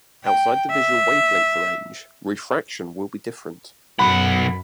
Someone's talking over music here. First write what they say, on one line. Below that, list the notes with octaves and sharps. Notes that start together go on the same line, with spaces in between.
Outside the visual wavelength range, refraction will be different.
G5
E5
B1 F#2 F#5 B5